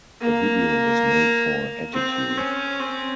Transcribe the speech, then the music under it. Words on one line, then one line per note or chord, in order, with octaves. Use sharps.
A video was made for "Attitude".
A#3
C4
C#4
C4